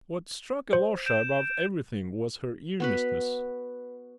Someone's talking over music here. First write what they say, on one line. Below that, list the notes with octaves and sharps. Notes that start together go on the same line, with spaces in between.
What struck Alyosha above everything was her earnestness.
C5
G6 D7 E7
B3 F#4 B4